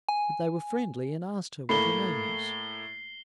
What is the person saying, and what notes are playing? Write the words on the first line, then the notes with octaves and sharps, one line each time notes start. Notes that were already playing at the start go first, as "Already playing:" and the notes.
But they were friendly and asked her what her name was.
G#5
A2 A3 A#3 B5 C7 G7